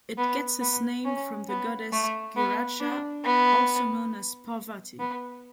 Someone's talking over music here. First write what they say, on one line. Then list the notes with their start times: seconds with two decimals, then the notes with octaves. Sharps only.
It gets its name from the goddess Giraja, also known as Parvati.
0.18 B3
0.61 B3
1.05 C#4
1.49 B3
1.93 A3
2.37 B3
2.80 D4
3.25 B3
4.99 B3